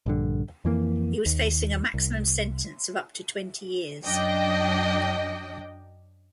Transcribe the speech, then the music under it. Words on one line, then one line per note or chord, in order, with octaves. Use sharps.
He was facing a maximum sentence of up to twenty years.
A#1 G2 D3
F2 E3 A#3
D#2
C2
F#2 F#3 D4 D#5 G5